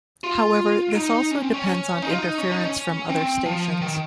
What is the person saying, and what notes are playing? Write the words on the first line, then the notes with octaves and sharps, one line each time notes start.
However, this also depends on interference from other stations.
F4
D#4
C#4
C4
C#4
C#4
D#4
F4
D#4
C#4
D#4
C#4
C4
F3
D#3